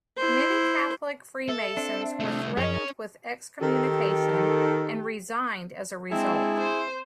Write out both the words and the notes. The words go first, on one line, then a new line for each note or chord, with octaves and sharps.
Many Catholic Freemasons were threatened with excommunication, and resigned as a result.
E4 C5
A4 E5
C4 D4
C2 A3
F#2 F3 C#4 G#4 A#4 C#5 D#5
D#3 G4 A4
G#3 C4 D4 E4 G#4 A5
C5